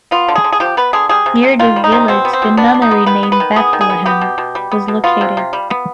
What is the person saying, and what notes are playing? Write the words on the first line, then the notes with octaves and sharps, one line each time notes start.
Near the village the nunnery named Bethlehem was located.
B3 F4
D3
G#4
D3
G#4
F3 G4
B3 B4
D3 G#4
G3 G#4
C3
C3
D#3 F4
G3
D#4
C3
B2 C4
B3
C4
B2
B3 D4
B2
D#4
B3
D#3 B4
B3
B4
D#3
B3 G#4
D#3
G#4
B3
B3 G4
B2
B2
G3
B3
B2
B3 F4
C3
C3
G3
B3